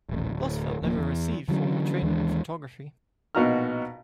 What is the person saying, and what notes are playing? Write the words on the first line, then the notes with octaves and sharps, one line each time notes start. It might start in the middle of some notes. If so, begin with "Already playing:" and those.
Blossfeldt never received formal training in photography.
D#1 A1
D1
D1 F3 G3 A#3
E2
D3 E3 F#3 C#4
D#2 E3 G#3 D4
A#1 B2 D#4 F#4 A#5 F6